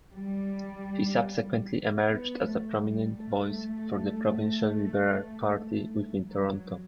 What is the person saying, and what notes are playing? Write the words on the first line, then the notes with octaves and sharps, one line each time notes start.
He subsequently emerged as a prominent voice for the provincial Liberal Party within Toronto.
G3
B3
A3
G3
A3
F#3